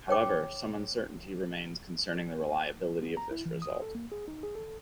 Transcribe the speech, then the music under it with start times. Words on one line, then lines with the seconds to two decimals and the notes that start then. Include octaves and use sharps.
However, some uncertainty remains concerning the reliability of this result.
0.09 C#5 G5 D6
3.03 B3
3.17 A#5
3.31 E4
3.46 E3
3.62 D#6
3.82 A4
3.95 A#3
4.12 G#4
4.28 D#4
4.43 G#4
4.55 A4